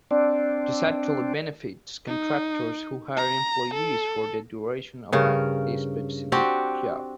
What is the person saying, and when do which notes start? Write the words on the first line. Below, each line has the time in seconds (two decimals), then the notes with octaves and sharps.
This actually benefits contractors who hire employees for the duration of a specific job.
0.11 C4 D4 D5
2.08 D#4
3.17 A#5
3.74 A4
5.12 G2 C#3 A#4
6.32 C4 D4 F#4 G4